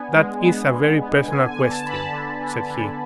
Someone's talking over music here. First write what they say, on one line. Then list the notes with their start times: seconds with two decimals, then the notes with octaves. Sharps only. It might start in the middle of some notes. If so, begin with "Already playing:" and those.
"That is a very personal question," said he.
Already playing: B3 D4 G#5
0.15 G#3
0.44 B3
0.72 G#3
1.00 B3
1.28 D3 G#5
1.49 G#5
1.56 D3
1.70 A5
1.84 D3 B5
1.92 A5
2.12 D3
2.40 D3
2.70 D3